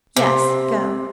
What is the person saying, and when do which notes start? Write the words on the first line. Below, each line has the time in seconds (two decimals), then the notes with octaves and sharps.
"Yes, go."
0.17 C3